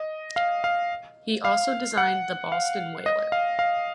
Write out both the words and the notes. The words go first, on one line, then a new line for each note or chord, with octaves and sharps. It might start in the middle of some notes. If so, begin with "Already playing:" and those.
He also designed the Boston Whaler.
Already playing: D#5
F5
F5
F5
F#5
F5
D#5
F5
F5